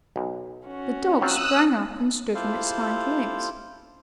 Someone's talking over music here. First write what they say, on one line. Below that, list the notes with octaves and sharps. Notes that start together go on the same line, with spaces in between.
The dog sprang up and stood on its hind legs.
B1
C#4 F#4
F#3 C4 F4 D#6 E6 F#6
E4 F4 G4 A4 C5 F5